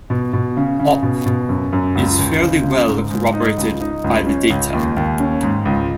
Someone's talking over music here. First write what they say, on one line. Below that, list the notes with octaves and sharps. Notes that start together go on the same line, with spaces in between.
Opp is fairly well corroborated by the data.
B2
B2
C#3
C#3
B2
B2
F#2
F#2
C#2
C#2
C#3
C#3
G#2
G#2
D#4
C#2
D#4
C#2
C#4
C#2
D#2
D#2
C#4
G#2
C#2